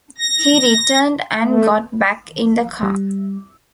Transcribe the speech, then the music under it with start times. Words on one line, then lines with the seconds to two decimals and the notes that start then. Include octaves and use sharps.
He returned and got back in the car.
0.18 A#6
1.40 A3
2.83 G3